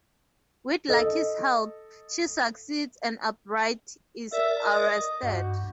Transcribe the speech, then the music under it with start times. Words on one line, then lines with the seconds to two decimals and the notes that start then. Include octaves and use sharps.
With Lucky's help, she succeeds and Albright is arrested.
0.89 A4 D#5
4.32 A#4 D5 E5
4.64 D#5
5.23 G2 F#4